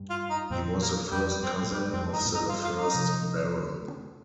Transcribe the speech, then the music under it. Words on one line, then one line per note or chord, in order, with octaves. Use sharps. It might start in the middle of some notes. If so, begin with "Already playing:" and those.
He was the first cousin of the first Baron.
Already playing: G2
F4
D#4
F2 A#2 C4
A#3
F2 G3
G2 C4
A#2
G2 G3
F2 C4
G2 D#4
A#2
G2 D#4
F4
F4
D#4
C3 F3